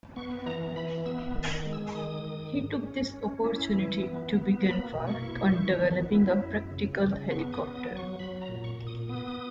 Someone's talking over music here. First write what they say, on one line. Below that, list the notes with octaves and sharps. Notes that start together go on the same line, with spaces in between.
He took this opportunity to begin work on developing a practical helicopter.
B3 C#6
E3 A#5
E3 B5
B3 E6
D#3
D#6
G#3
E6
D#3 D#6
D#3
G#2
C#4
C#4
E4
E3
B3
B3
A#3 B5
B2
C#6
E4
D#3
B3
E4
F#2
C#3
C#3
B3 C#6
D#6
B3
D#6
F#3
C#6
F#3 B5
A#5
A#2
C#6
A#2
D#6
B3 D#6